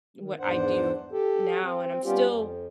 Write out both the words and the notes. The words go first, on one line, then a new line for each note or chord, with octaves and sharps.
what I do now, and I'm still
D#3
E2 G#2 D4 C5 F#5
G4 A4
C4
G3 B3 C#4 F4 G4
F2